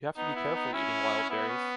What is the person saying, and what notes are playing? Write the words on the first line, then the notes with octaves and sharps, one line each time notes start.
You have to be careful eating wild berries.
B3 D#4
E4
D#4
C#4 E4
B3 E4
C#4